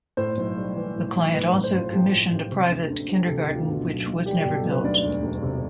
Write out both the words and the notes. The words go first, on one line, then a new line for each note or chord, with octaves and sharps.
The client also commissioned a private kindergarten which was never built.
A2 C5
B1
G3
E3
A2
B1
A2 B4
A1
C5
A1 F4
F3 G4
A2
A1
C3
D2
D2
F3 G4
C3 A4
G4
D2
F4
B2
B1
B1
G3 G4
B2 G4
A4
B1 B4
D2 D5
E1
E1
C3